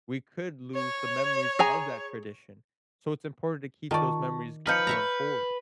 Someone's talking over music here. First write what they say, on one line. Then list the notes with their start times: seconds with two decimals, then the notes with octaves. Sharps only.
we could lose the memories of that tradition, so it's important to keep those memories going forward.
0.74 C#5
1.59 G#4 G#5 A#5
3.91 D#3 F4 D5 A5 C#6
4.67 F3 D#4 B4 F6 G6 C#7
4.87 C#5 E5 A#5